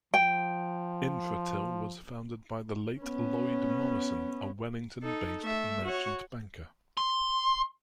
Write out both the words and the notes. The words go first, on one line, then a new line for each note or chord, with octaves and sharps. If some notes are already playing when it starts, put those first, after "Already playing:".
Infratil was founded by the late Lloyd Morrison, a Wellington-based merchant banker.
F3 G5
B3 C#4
D#4 A4
A3 E5
F#4 C#5
C6